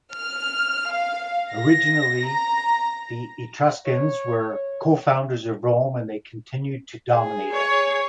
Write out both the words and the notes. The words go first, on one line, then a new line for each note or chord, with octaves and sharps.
Originally the Etruscans were co-founders of Rome and they continued to dominate it.
F6
F5
A#6
A#5
C#5
G#4
C#5